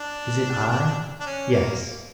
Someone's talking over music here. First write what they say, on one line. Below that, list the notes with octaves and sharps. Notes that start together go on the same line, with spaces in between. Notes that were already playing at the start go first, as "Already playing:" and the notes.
"Is it I? Yes."
Already playing: D4
D4
C#4
A#3